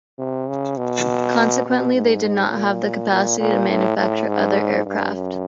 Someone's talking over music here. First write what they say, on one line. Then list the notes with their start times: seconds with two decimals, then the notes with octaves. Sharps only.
Consequently, they did not have the capacity to manufacture other aircraft.
0.19 C3
0.49 C#3
0.77 B2
1.65 B2
1.95 G#2
2.52 A#2
3.11 A#2
3.40 A#2
3.69 A2
3.98 A2
4.28 G#2
4.86 G2
5.14 F#2